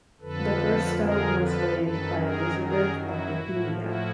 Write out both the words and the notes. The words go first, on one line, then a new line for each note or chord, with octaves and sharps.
The first stone was laid by Elizabeth of Bohemia.
F2 D3 F3 A4 B4
G#4 A#4
A4 B4
F#2 D#3 F#3 A4 B4
G#4 A#4
G#4 A#4
E4 F#4
A2 F3
E4 F#4